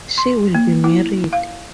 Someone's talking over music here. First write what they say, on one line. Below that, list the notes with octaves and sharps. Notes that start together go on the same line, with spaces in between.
She will be married!
C6
A#3
E4
F5